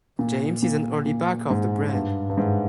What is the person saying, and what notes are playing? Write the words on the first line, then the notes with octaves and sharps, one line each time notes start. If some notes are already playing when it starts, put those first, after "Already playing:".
James is an early backer of the brand.
A#2
A#2
A#2
G#2
G2
G2
G#2